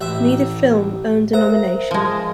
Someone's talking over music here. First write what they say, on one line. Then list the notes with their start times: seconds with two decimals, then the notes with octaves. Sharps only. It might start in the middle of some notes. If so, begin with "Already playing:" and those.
Neither film earned a nomination.
0.01 A1 E5
1.33 A#4 C5 E5 A#5
1.91 F3 G#3